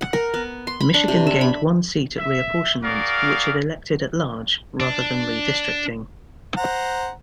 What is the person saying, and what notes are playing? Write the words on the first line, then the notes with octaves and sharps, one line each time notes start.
Michigan gained one seat at reapportionment, which it elected at-large rather than redistricting.
F#5
A#4
B3
C6
B5
D4
C3
E5
B5
E5
F#4 G#4 A#4 D5 F5
D4
C5 F#5 A#5